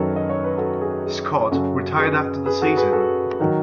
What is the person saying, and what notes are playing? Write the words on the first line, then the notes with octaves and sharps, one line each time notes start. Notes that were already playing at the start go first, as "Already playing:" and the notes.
Scott retired after the season.
Already playing: F#2 D#3 F#3 A4 B4 C#5
D#5
C#5
B4
F#4 A4
G#4
G#4
F#2 C#3 F#3 F#4 A4
G#4 B4
G#4 B4
F#4 A4
G#4 B4
F#4 A4
D#3 F#3 F#4